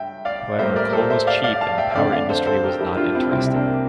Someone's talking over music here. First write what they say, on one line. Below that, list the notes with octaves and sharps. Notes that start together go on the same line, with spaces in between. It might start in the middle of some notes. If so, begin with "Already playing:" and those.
However coal was cheap and the power industry was not interested.
Already playing: G2 E5 G5
D5 F5
A2 G3 A#3 C5 E5
A#4 D5
A4 C5
C5 E5
D5 F5
D5 F5
F5 A5
E5 G5
E5
F2 D3 A3 D5 F5
D5 F5
A4 C5
A4 C5
G4 A#4
E4 G4
D4 F4
C4 E4
C2 C3 G3 C4 E4
E4
A#3 D4